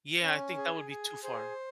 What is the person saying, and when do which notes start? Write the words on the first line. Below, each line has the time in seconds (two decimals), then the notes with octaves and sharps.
Yeah, I think that would be too far.
0.22 C#4
0.57 G#4
0.91 G#4
1.24 G#4 C5